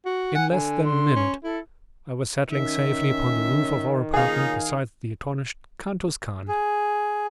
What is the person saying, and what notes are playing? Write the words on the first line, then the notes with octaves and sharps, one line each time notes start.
In less than a minute I was settling safely upon the roof of our apartment beside the astonished Kantos Kan.
F#4
F#5 G#5
D3 G#5
C6
C#4
E4 A4
D#3 C#4 E5
C#3 A#3 D#4 F4 G#4 F5
G#4